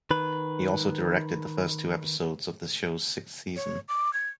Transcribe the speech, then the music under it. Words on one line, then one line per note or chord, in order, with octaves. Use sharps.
He also directed the first two episodes of the show's sixth season.
D#3 B4
C#5
D6
G#6